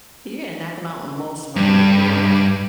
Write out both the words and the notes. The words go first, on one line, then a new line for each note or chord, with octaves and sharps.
You're gonna knock them out emotionally. There you go.
G2